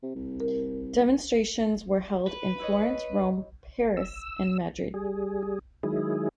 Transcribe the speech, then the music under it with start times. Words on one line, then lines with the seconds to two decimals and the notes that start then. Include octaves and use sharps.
Demonstrations were held in Florence, Rome, Paris and Madrid.
0.03 C3
0.15 C2
0.40 A#4
2.27 B4
2.59 E4 C#5 D#5
3.97 E6
4.94 G3 G#4
5.83 D#3 F#3 G#3 E4 G#4